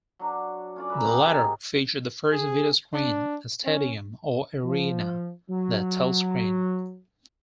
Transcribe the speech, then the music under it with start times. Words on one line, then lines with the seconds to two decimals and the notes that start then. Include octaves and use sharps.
The latter featured the first videoscreen in a stadium or arena, the Telscreen.
0.19 F#3 D4
0.76 C#4 F4 D5
0.90 B4 E5 A#5
1.04 C4 G4 G#4 A#4
1.30 D#4
2.32 G#4
2.93 D4
3.65 C#4
4.65 F3
5.50 F#3